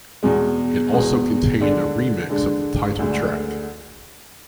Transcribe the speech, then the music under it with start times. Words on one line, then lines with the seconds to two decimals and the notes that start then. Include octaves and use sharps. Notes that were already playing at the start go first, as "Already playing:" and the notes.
It also contained a remix of the title track.
0.23 E2 B2 G#3
0.92 E2 B2 G#3
1.61 D3 G#3 D4
2.30 D3 G#3 D4
2.99 D2 D3 G#3